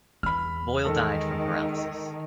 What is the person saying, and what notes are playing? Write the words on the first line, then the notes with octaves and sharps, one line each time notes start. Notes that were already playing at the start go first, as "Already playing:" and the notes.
Boyle died from paralysis.
E2 B5 F6
D#3 G#3 A4 A#4